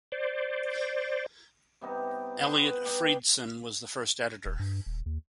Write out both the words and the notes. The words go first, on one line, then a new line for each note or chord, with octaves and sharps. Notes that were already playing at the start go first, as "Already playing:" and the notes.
Eliot Freidson was the first editor.
C5 D5
C3 G3 B3 D#4
B3 G#4 B4 C5
B4
G3 B3 D#4 G4
D#1
G2
D#1
D#2